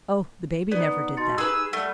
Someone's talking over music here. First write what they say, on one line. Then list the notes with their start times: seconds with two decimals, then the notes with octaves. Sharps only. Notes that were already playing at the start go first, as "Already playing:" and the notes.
Oh, the baby never did that.
0.71 B3 D#4 D5
1.17 B2 C6 A6 C#7
1.38 G4 G#4 B4 E6
1.73 G3 A3 F#5